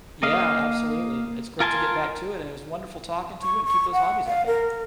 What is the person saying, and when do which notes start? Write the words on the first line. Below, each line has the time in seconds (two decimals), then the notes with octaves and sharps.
Yeah, absolutely. It's great to get back to it and it was wonderful talking to you and keep those hobbies up, man.
0.23 A#3 D#5 F5
1.60 F4 A#4 G#5 A5 C6
3.42 C#6
3.66 C#6
3.93 F#5
4.26 F5
4.47 A#4